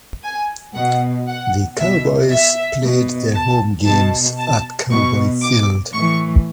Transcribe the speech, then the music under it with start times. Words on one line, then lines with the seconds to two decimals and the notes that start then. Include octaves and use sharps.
The Cowboys played their home games at Cowboy Field.
0.23 G#5
0.75 B2 F#5
1.28 F#5
1.79 B2 E5
2.31 E5
2.82 B2
3.34 A5
3.86 B2 A5
4.38 A5
4.90 B2 C#6
5.42 D6
5.93 A2 E3 C#6